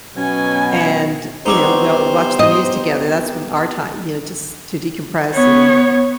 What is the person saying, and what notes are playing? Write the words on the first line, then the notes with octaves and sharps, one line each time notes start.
And, you know, we'll watch the news together. That's when our time, you know, just to decompress and
B2 F#3 C#4 G#5
B2 G3 C4 D#4 G4 G#4 C5
D#5
B3 C#5